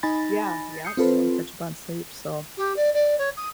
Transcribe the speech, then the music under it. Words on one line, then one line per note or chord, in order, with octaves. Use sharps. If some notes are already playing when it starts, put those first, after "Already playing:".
Yeah, yep, you want to catch up on sleep, so
D#4 G#5 B5 A6 A#6
D#6 G6 C7 C#7
C4 F4 A4 B4 C5
G4
D5
D5
C#5
D#6